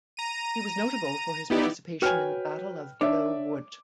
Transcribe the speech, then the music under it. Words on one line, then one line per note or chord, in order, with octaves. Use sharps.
He was notable for his participation in the Battle of Belleau Wood.
A#5 D#7
B3 D#4 E4 G4 D5
F#4 B4 C#5 G5 G#5 F6
D4 C#5 D5 E5 D6